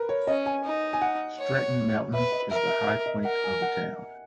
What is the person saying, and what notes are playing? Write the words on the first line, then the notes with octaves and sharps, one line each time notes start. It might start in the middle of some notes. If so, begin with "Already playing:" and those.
Stratton Mountain is the high point of the town.
Already playing: A#4 B4
C#5
C#4 D#5
G#5
D#4
G#5
F#5
C#5
B4 E5
D#5
A#4 E5
E5
E5
D#5
A#4 F#5
G#5
F#5